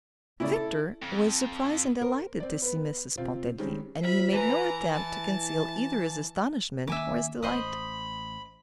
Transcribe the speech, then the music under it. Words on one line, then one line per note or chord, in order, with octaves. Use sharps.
Victor was surprised and delighted to see Mrs. Pontellier, and he made no attempt to conceal either his astonishment or his delight.
A#2 C#3 E4 D5
A4
F2
A#4 C5
C4 D5
B3 B4
C3 C4 F4
D#3 G3 G#3 C4 C#4
F4 C5 E5 B5
E3 B4 G#5 A#5
E4 A5
D#3 A#3 C#4 E5 G#5 D6
A1 C5 D#5 B5 D#6